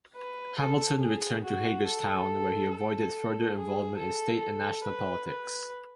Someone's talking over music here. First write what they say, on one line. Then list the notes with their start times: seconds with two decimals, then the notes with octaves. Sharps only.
Hamilton returned to Hagerstown where he avoided further involvement in state and national politics.
0.16 B4
0.59 A4
1.00 G#4
1.44 F#4
1.86 A4
2.71 A4
3.57 G#4
3.99 A4
4.84 B4
5.28 B4